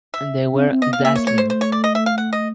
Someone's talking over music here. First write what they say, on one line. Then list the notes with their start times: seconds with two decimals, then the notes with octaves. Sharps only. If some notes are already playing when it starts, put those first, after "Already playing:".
They were dazzling.
0.14 E5
0.53 C#4
0.59 C4
0.71 C4
0.82 B3 D#5
0.93 F5
0.98 B3
1.05 A#3 E5
1.15 C#5
1.27 A3 C#5
1.38 C5
1.50 C5
1.61 C#5
1.72 D5
1.84 D#5
1.95 E5
2.06 F5
2.18 F#5
2.33 D#5